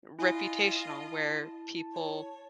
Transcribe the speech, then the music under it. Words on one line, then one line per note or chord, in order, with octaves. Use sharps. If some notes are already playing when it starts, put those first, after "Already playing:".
reputational where people
E4 F4 D#5 G#5
A5
C#5